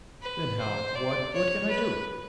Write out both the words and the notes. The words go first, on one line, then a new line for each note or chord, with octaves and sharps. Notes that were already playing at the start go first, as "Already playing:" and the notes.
"Then how--what--what can I do!"
B4
C5
D5
C#5
B4